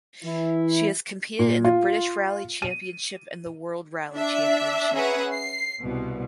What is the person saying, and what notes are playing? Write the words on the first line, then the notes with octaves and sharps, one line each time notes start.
She has competed in the British Rally Championship and World Rally Championship.
E3 E4
A#2
F4
D#7
D4 E5
C#4 G#4 B4 E5 F#5 A#5
C7
C2 B2